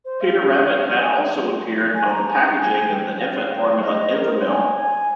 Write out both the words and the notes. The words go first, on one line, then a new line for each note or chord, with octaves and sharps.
Peter Rabbit had also appeared on the packaging of the infant formula Enfamil.
C5
F5
G#5
G#5
A#5
G#5
G5
G#5
G5
F5
G5
F5
D#5
A#4
C5
G#5
G#5